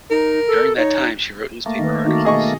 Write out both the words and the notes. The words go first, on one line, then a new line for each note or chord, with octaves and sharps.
During that time she wrote newspaper articles.
D#4 A#4
A4
D#4 C#5
A3 A#3
D#3 B4
D#3 D#4 F#4
B2 D#3 G#4 D#5 C#6